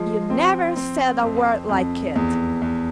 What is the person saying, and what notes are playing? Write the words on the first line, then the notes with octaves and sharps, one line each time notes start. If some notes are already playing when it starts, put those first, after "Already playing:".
'You never said a word like it!'
Already playing: F3 G#3
C4
C4
F2
F2
E2
E2